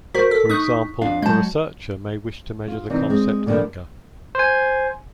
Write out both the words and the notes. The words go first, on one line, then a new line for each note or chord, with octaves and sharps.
For example, a researcher may wish to measure the concept anger.
F#4 A#4 C5 B6
A4
D#4 C#6 D#6 F#6
F2 D4 F5
F#3 G#3 A5 G6
F4
C3 E3 C4 D4 D#4
G#3 C4
A#2 D3 D#3 F3 G3
C5 G#5